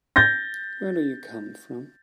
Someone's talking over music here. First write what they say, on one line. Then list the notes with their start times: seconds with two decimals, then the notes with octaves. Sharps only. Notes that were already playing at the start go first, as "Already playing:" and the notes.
Where do you come from?
0.16 G6 A6 A#6